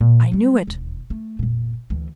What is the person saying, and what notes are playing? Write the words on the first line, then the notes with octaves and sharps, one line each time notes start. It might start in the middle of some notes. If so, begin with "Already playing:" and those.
I knew it.
A#2
G3 G#3
E1 D#2
A3
F1 A#2
D2 E3